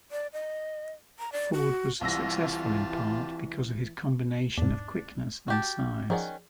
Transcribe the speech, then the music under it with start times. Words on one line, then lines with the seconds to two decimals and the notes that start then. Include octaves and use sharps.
Ford was successful in part because of his combination of quickness and size.
0.12 D5
0.33 D#5
1.19 A#5
1.32 D5
1.53 F#4
2.01 C2 E3 F4 G4 A5 E6 A#6
4.58 E2 G#2 D4
5.48 F#4 G4 A5
6.10 D#3 F3 C#4 G#4 D5 F#5